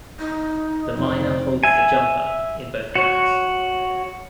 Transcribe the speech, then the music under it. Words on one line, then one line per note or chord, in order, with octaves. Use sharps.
The miner holds the jumper in both hands.
D#4
F1 C4
E5 G#5
F#4 C#5